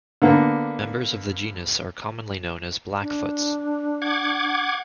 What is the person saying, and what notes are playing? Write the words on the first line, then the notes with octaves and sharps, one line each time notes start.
Members of the genus are commonly known as blackfoots.
D3 A#3 B3
D4
F#5 D6 G#6